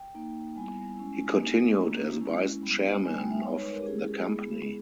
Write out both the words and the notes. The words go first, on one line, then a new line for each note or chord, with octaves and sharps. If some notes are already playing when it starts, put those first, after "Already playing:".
He continued as vice chairman of the company.
Already playing: G5
A#3 D#4
G3 B3 E4 G#5
G#3 C#4 E4
A#3 D#4
A#3 C#4 E4
G#3 C#4 E4
G3 B3 E4
G3 B3 D#4 G#5
G5
E5
G#3 D#4 C#5
B4
A#4
G4
G#3 C#4 E4 G#4
G#3 B3 E4